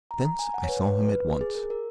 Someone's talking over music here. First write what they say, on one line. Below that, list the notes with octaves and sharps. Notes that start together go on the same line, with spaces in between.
Thence I saw him at once.
A#5
A#5
G#5
F#5
C#5
B4
B4
B4
G#4
A#4
A#4